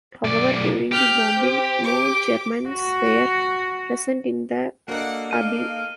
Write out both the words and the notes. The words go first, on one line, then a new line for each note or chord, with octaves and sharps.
However, during the bombing no Germans were present in the abbey.
B1 D5
G4 F6 G6
C4
D6
F#4
A#3 D4 F#4 A4 A#4 D#5 F#5
D#4 A4 F5 F6 D#7